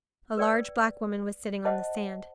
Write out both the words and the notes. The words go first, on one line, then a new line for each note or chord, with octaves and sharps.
A large black woman was sitting on the sand.
B4 D5 G5
C5 D#5 F#5 A5